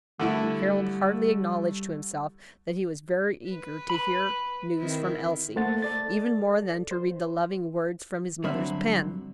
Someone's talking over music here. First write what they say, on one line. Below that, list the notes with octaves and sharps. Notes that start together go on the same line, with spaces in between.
Harold hardly acknowledged to himself that he was very eager to hear news from Elsie; even more than to read the loving words from his mother's pen.
D3 G3 A3 E4
B4
B5
D#3 C4 E4
A3 A#3 A4 C5 F#5 A6
A4 D5 A6
C5
G2 D3 F#3 C4 E5 B5